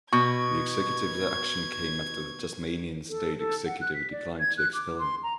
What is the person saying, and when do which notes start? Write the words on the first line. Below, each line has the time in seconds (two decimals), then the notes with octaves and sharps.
The Executive's action came after the Tasmanian State Executive declined to expel him.
0.13 B2 C#6 G#6
3.09 A4
3.38 A4
3.66 F#5
3.81 F#6
3.94 B6
4.11 D5
4.40 G#6
4.58 F#6
4.74 D6
4.99 C6
5.23 A#5